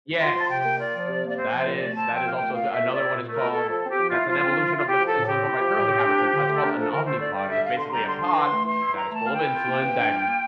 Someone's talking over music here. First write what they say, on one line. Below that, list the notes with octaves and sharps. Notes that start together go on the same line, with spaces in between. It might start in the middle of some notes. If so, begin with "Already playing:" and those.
Yes. That is, that is also th another one, it's called, that's an evolution of the insulin pump I currently have. It's an it's called an Omnipod and it's basically a pod that is full of insulin that
F4 C6
F3 A5
C3 G5
A#3
F4 D5
F3
C3
A#3
D5
C4 C5
F3
C5
A#2
D5
A3
C4 A5
F3
G5
A#2 F5
G5
A3
A#2 F5
A3 E5
A#2
D5
E4
A#2
A3 A#4
A#2
A4
E4
F3 A4
C4 G4
F3
E4 F4
F3 F4
C4
F3
E4
F4
E4 G4
F3
A4
A2
C4 G4
E4
F3
A2
C4
D4
F3
D3
A3
A4
D4 A#4
F3 A4
D3 A#4
A3 C5
D3 D5
G3 D5
D3 E5
D4 F5
D3 C6
G3 A#5
D3 C6
D4 C6
A#5
E3 C6
A3
E3 C6
E4
E3 A#5
A3 A5
E3 F5
E4 G5
F4
A#3
E3
D4
F4
A#3